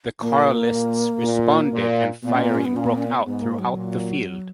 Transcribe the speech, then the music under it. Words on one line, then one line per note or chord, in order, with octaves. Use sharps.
The Carlists responded and firing broke out throughout the field.
A#2 A#3
A#2
A#2
A#2
A#2 B3
C#4
B3
C#4
B3
A#2 C#4
B3
C#4
B3
G#2 B3
A#3
F#3
A#2